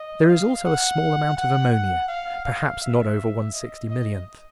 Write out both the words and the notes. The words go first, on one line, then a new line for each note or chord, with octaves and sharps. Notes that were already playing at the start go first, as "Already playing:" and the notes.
There is also a small amount of ammonia, perhaps not over one-sixty-millionth.
Already playing: D#5
F5
F#5
F#5
F#5
F5
F5
E5
D#5
D#5